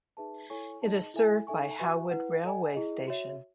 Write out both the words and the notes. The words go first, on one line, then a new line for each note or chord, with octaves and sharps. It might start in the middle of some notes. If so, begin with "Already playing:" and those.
It is served by Howwood railway station.
D#4 G#4 B4 E5 A5
E4 A4 C#5 G#5 C#6
D#4 G#4 D#5 A5
E4 A4 E5 G#5
D#4 A4 E5 G#5 C#6
F#4 B4 E5 G#5 C#6
E4 B4 F#5
A4 D#5 G#5
E4 G#4 D#5
F#4 C#5 E5